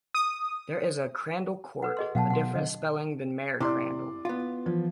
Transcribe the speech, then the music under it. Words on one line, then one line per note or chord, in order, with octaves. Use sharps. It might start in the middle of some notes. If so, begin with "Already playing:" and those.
There is a Crandall Court, a different spelling than Mayor Crandell.
D#6
A4 B4 F#5
G#4 D#5 C6
B2 F#3 F5 F#5 A5
F#5 C6
D3 D#5
C3 E4 D5 C6 D6
B3 F4
E3 F3